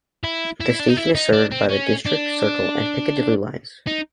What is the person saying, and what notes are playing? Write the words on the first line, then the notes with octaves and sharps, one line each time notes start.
The station is served by the District, Circle and Piccadilly lines.
E4
E4
D4
D#4
E4
D#4
D4
C4
C#4
D4
D#4